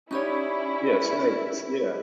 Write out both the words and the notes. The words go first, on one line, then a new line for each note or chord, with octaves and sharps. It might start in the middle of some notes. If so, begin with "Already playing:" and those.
Yeah, snakes. Yeah.
C#4 D#4 E4 G4 C#5 D5 B5 C#6